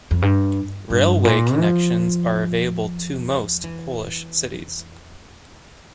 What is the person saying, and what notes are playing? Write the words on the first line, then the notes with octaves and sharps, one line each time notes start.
Railway connections are available to most Polish cities.
F2
G2
G2
A#2
F3
E3